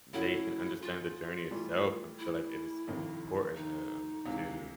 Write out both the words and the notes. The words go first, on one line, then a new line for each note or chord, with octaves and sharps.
they can understand the journey itself. I feel like it is important to, um, to
C#3 F#3 A3 C#4 E4 F#4
F4
A2 E3 G3
E4
G1 F2 C3 D#3
D#4
C#2 C3 E3